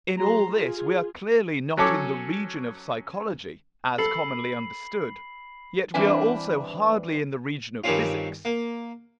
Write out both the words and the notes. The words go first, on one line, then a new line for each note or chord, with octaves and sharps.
In all this we are clearly not in the region of psychology, as commonly understood; yet we are also hardly in the region of physics.
F#3 G#4 A#5 C6
F4 G#4
F#3 C#4 A4 C#5 D6
A4 B5 C7 F#7
G2 E3 C4 D4 B4 G#5
G2 D#3 G3 C4 C#4 F4
A#3